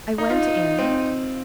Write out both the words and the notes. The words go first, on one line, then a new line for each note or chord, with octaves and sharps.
I went in.
D#4
D#4 F4
C4